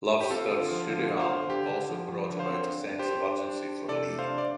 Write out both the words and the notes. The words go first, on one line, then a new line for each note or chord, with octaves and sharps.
Love's third studio album also brought about a sense of urgency for Lee.
G4
C4 F4 A4
D3
F4
F3
D3 F4
D3
C5 F5
D3
D3 G4
D3
F3
F3
D3
C5 F5
C4
D4
D4
G4 C5
D4
D4
D4
D4
C3 A4 D5
A3
C5 F5
D4
D5